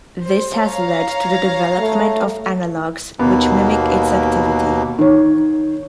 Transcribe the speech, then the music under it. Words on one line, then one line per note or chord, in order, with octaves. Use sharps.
This has led to the development of analogs which mimic its activity.
C5
C#5 F5 A#5
A3
D#2 B2 A#3 B3
D#3 C#5